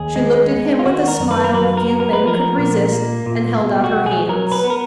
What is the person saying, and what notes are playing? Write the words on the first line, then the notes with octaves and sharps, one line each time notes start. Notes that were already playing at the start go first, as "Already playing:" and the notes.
She looked at him with a smile few men could resist, and held out her hands.
Already playing: D#2 G#4
G#3
B3
F4
D#3 F#4
A#4
F#2
B4
A#4
F#3 B4
A#4
B3
A#4
B4
F3 A#4
A#2
A#3
A#2
B2
F#4
B1
G#4
F#3 A#4
B4
B3
A#4